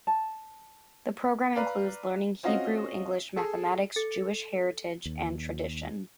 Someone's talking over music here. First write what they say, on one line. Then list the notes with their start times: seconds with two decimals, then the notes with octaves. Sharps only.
The program includes learning Hebrew, English, mathematics, Jewish heritage and tradition.
0.07 A5
1.56 B4 D5 F5 A#5
2.43 C4 C#4 F4 F#4 D#5
3.37 G#4 A4
3.96 A4 A6 C#7
5.06 D#2